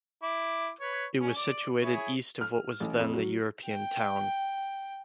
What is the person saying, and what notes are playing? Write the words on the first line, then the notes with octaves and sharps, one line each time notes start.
It was situated east of what was then the European Town.
E4 D6
B4 C#5
C#4
D5
E4 G#4 C#5
F6
A1
F2
F#3
G5